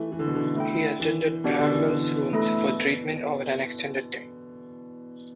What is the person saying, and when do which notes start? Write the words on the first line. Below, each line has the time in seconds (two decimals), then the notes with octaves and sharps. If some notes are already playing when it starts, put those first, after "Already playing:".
He attended Bramwell's rooms for treatment over an extended time.
Already playing: E3 A3
0.12 E3
0.19 D3
0.27 B2
0.35 D3
0.55 A3 E4 A4 G5
1.00 E3
1.44 B2 B3 D4 G4 D5
1.59 D3
1.74 E3
1.88 D3
2.33 A3 E4 A4